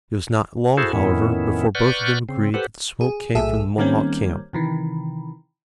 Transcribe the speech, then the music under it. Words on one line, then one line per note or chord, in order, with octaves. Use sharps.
It was not long, however, before both of them agreed that the smoke came from the Mohawk camp.
E4 F#4 G#4 A4 C5
F2 A2 D#3 B3 C#4 E4
B4 D5 F#5 C#6 F6 G6
C#3 C4
G4 A4 B4 C5 F#5
G#4
B1 A2 G#4 A4 E5
D#3 G3 A#3 C4 C#4
C3 D#3 E3